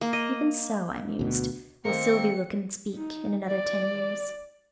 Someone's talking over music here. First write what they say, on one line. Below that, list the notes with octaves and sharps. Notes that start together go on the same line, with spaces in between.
"Even so," I mused, "will Sylvie look and speak, in another ten years."
A#3
D#5
D2 B2
D#3 A3 A#3 C4 A#4 C#7
D#4
D5